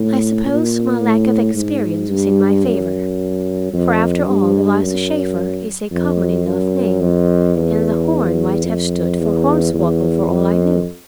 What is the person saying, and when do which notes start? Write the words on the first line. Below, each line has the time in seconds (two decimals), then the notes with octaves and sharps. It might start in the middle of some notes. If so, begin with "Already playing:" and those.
I suppose my lack of experience was in my favor, for, after all, Eliza Shaeffer is a common enough name, and the "Horn" might have stood for "hornswoggle," for all I knew.
Already playing: A2
0.46 A#2
1.00 A2
1.55 G#2
2.10 G2
2.65 F#2
3.74 F2
4.28 G2
4.82 F#2
5.92 F2
6.47 F#2
7.01 F2
7.56 E2
8.64 F2
9.20 E2
9.74 E2
10.28 F2